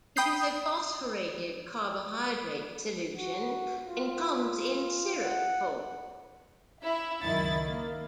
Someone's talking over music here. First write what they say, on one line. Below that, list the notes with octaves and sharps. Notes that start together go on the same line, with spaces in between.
It is a phosphorated carbohydrate solution, and comes in syrup form.
G5 B5 D#6 G6 C7
F#4
F4
F#5
E4 E5
C#2 F#2 D#3 E4 A6
A#3